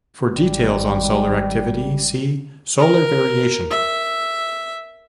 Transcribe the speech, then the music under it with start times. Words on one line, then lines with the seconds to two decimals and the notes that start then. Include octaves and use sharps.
For details on solar activity see: solar variation.
0.34 G#1 G3
2.79 A#4
3.71 E5